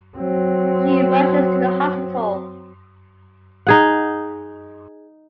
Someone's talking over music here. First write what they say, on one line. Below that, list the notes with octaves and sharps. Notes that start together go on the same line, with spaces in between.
She rushes to the hospital.
F#3 C4
D#4 G#4 F#5